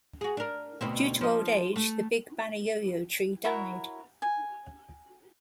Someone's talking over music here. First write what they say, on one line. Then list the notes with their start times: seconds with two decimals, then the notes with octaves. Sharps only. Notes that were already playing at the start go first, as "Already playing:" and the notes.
Due to old age, the big "Banayoyo" tree died.
0.21 F#4 G#4
0.37 D4 A#4
0.81 D2 B2 C4
1.21 F3 D#5
1.76 A3
3.45 E4 F#4 A#4 C#5
4.22 G#5